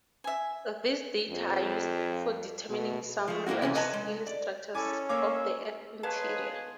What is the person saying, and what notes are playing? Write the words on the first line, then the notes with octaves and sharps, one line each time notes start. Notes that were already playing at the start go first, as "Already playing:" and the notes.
These data are used for determining some large scale structures of the Earth interior.
E5 G#5
F2
B2
F3 A3
A2 A#3 C#4 E4 F#4
C3 E3 A#3 B3 C#4 E4
C3 B4 C#5 D#5 G#5 A5
G#3
D5
C#4 E4 A4 G#5 D6
A#3 C#5 F5 D6 E6
B2 D#3 G#3 G#4 B4 C#5 F5 A5